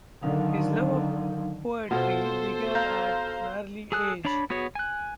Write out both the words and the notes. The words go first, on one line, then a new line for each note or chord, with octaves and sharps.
His love of poetry began at an early age.
D3 D#3 F#3 D#4 F5
B2 F4 A4 C5
F5 A#5 G6
G#4 A4 G#5 D#6 F#6
D4 C#5 D5 B5
B3 F#4 G#4 C#5
G#5 F#6